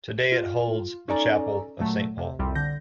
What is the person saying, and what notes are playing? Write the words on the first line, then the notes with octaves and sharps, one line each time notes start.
Today it holds the Chapel of Saint Paul.
F4
C#4 D#4 A4 D5 G#5 A#5
A#2 F#3 A3
C3
C2 F2 C3 G3 C4
D3 G6 A#6